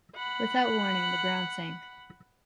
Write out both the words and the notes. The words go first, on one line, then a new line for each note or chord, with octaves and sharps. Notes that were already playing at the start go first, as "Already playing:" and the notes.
Without warning, the ground sank.
F#5 B5